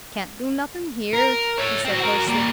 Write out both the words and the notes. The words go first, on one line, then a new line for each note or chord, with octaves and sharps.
"Can't do nothin' here," he said hoarsely.
A#4
C#5 E5
C4 F#4
F#4 A#4
G3 A#3